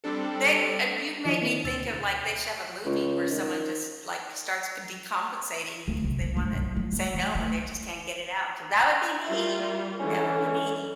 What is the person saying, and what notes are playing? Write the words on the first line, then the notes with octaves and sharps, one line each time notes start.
thick of You'd make me think of, like, they should have a movie where someone just, like, starts ca decompensating because they wanna say no and they just can't get it out, 'cause that would be me! That would be me.
G3 C4 D4 A4
D#3 F3 D4 E4 D#5
D#3 A#3 C4 D4 E4
D2 B2 E6 A6
C#2
D#3
D2
C2
A#3
G2
B1
F3
G3
E3
A3
G3 E4 F4 A#4
D3 E3 G#3 C#4